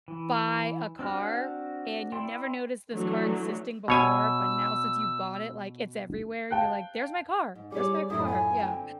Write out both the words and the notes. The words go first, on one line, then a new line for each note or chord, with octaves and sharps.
buy a car and you never noticed this car existing before, but now since you bought it, like, it's everywhere and you're, like, "There's my car. There's my car," yeah.
E3
C4 D4 F#4 F6
E4 D5 G5 C6
E3 F#3 A3 D4
B2 C#5 G#5 E6
F5 G5 A5 F#6
G#2
G3 E4 G#4 C#5 D5 D6
F#2 A2 E4 F4 E5 D#6
G#5
D3 C4 G5